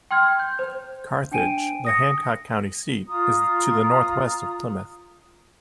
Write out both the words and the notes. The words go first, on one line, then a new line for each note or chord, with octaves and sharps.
Carthage, the Hancock County seat, is to the northwest of Plymouth.
G5 C6 F6 G#6
G6
C5
D4 G5 G#5 D7 D#7
D#6 A#6 C#7
F4 A#5 D#6